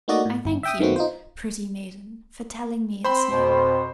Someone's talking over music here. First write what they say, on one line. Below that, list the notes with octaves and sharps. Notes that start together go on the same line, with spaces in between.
I thank you, pretty maiden, for telling me its name.
A3 A#3 D#4 F#4 D5 D#5
A2
G1
E5 G5 D#6
F#2 D#3 A3 B3 C4 F#4
D#4 F4 C5
C4 C5 B5 C6
F2 B2 C4